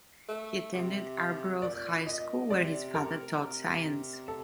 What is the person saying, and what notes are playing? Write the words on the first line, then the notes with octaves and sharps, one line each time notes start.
He attended Arbroath High School, where his father taught science.
A3
C3
A#2 D5
D#5
C3 D5
A#4
C3
A4